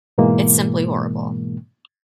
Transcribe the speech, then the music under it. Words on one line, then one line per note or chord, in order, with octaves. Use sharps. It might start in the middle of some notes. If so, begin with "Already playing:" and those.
It’s simply horrible.
G#2 B2 E3 G#3 A#3